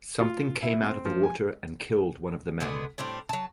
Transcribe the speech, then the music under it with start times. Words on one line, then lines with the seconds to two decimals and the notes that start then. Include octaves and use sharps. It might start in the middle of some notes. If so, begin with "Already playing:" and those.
Something came out of the water and killed one of the men.
0.21 F4
0.62 E4
0.82 C4
1.05 F3
1.23 G#5
2.60 B2 D3 G#3 B3
2.98 A2 G3 C4 D4
3.29 F#3 A5